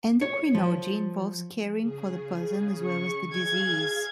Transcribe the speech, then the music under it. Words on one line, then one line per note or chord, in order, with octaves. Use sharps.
Endocrinology involves caring for the person as well as the disease.
C#5
F3
C#3 G#4
C#6
G#4 F5 G#6